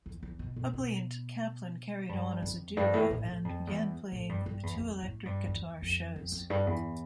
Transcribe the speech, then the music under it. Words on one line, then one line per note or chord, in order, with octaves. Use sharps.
Hubley and Kaplan carried on as a duo and began playing two-electric-guitar shows.
E2
E2
B2
B2
B2
G2
F2
G2
A2
A2
A2
F2
E2
A2
G2
G2
E2
F2
A2
G2
E2
F2
F2
F2
G2
E2